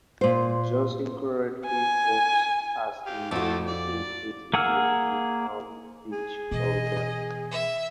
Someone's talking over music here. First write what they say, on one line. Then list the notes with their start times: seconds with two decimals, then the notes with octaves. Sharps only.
Johnson currently works as a real estate agent in Palm Beach, Florida.
0.21 A#2 C5
1.66 G#5
3.06 G4 F5
3.31 F2 A3 F#4 A4 D6
3.68 D5
4.54 A#3 G#4 F#5 E6 F6
6.12 G#4
6.51 B2 E3 D#5
7.51 E5